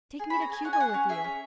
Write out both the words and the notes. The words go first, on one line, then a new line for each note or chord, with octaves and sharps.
Take me to Cuba with you!
G#4
C#4 B5
A#5
G#4 G#5
C#4 F#5
G#5
G#4 F#5
C#4
G#4 E5
C#4